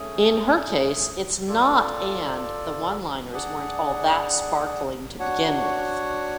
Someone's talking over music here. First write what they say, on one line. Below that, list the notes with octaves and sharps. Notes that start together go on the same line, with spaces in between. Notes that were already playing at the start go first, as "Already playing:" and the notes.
In her case, it's not-and the one-liners weren't all that sparkling to begin with.
Already playing: A3 C#4 G#4
F4 A4 D5
D4 G#4 D5 F#5
D4 F#4 C#5 F#5